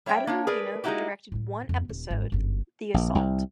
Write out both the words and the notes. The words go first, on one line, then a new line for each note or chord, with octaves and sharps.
Ida Lupino directed one episode, "The Assault".
G3 C#5 E5 G5
A#3 D4 C#5
G#4 A#4 B4 D5
G#3 A#3 D#4 E4 F#4 G4
A2 E4
F2 B3
D#1
G#1
G1 F#2
A#1
C2